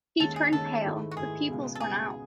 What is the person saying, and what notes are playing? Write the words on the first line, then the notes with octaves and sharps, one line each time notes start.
He turned pale, the pupils went out.
D#2 D#3 G#3 C#4 A4
G#4
D#2 D#3 G#3 C#4 A4
G#2 D#3 A3 E4
F#4
G#2 D#3 A3 E4 G#4
C#2 B2 G#3 B3
A4
C#2 B2 G#3 B3 G#4